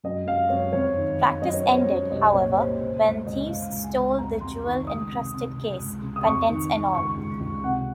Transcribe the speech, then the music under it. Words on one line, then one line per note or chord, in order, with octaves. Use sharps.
The practice ended, however, when thieves stole the jewel-encrusted case, contents and all.
F#2 D#5
F#2 F5
F#2 C#5
F2 C#5
D#3
F2
F#2 D#5
C#5
F#2 C5
C#5
F#2
C2 D#5
A#2 C#5
A#2 C5
C#3 C5
C#2 C5
C#2 D#5
C#2 F5
C#2
G#5
C#2
F2 A#5
F2 C6
D#3 C#6
C#2 D#6
C3
C3
C#3
C#2
C#3
D#6
F2 C#6
D#3
D#3
C#2 C#6
C#2
C#2
C3 F#5